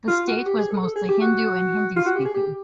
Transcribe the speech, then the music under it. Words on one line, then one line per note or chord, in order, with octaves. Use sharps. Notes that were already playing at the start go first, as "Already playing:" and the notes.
The state was mostly Hindu and Hindi-speaking.
F4
F#4
G4
G#4
A4
A4
G#4
G4
F#4
F4
F#4
G4
G#4
G4